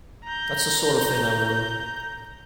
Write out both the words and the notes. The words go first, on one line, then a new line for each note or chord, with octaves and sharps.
That's the sort of thing I wanted.
A#5 G6